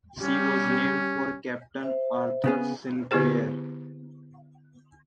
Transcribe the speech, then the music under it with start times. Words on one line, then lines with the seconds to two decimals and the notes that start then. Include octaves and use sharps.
She was named for Captain Arthur Sinclair.
0.21 G3 C#4
1.83 C5 E5
2.44 C#3 B3 G#4
3.11 D3 B3 E4 G4 G#4 C5